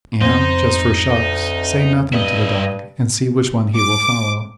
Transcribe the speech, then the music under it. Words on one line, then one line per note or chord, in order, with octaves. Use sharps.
Am, just for shucks, say nothing to the dog and see which one he will follow.
F2 C4 D#4 C5
D2
G2 E4 D#5
D6